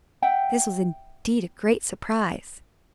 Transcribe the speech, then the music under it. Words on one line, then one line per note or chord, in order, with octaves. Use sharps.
This was indeed a great surprise.
E5 F#5 G5